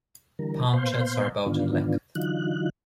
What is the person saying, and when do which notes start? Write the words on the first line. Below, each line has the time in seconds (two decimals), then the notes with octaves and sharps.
Palmchats are about in length.
0.39 D3 E3 G3 A#4
0.73 A#2 B3 C5 F5 C6 G6
1.46 G#2 D3 D#3 B3 D4 F4
2.15 D3 E3 F#3 D#4 F4 F#6